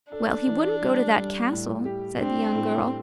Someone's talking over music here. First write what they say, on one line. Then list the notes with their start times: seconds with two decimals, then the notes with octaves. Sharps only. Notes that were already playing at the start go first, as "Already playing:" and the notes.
"Well, he wouldn't go to that castle," said the young girl.
0.12 D4 A4
0.47 E3
0.82 G3
1.17 G3
1.51 A2
1.85 G4
2.20 C4 D4
2.54 A2